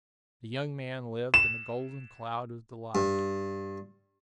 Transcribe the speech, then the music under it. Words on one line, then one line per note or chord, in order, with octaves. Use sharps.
The young man lived in a golden cloud of delight.
E7
G2